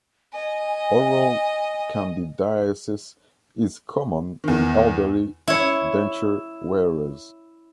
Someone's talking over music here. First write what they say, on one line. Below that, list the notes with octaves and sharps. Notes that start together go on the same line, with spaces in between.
Oral candidiasis is common in elderly denture wearers.
D#5 G#5
E2 D#3
E4 C#5